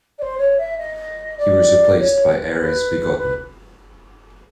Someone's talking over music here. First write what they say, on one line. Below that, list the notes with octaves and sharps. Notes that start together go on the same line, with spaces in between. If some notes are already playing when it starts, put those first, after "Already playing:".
He was replaced by Erez Vigodman.
D5
C5
C#5
E5
D#5
D5
C#5
B4
B4